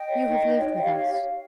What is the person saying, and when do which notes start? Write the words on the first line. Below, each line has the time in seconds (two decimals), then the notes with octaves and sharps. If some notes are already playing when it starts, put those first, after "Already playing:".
You have lived with us.
Already playing: D#5 G5
0.08 C#5
0.27 D#4
0.45 D#4
0.56 C#5
0.64 D#4
0.69 D#5
0.83 G4 C#5 F5